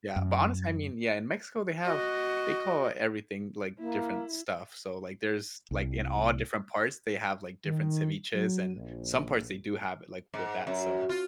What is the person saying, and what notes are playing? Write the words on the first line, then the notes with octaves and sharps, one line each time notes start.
yeah, but honest I mean, yeah, in Mexico, they have they call everything, like, different stuff. So, like, there's like, in all different parts, they have, like, different ceviche's, and some parts, they do have it, like, with that, so
F#2
F#4 D#5
A#3 E4
C2
D#3
F#3
A#1
G#2
F#2
F4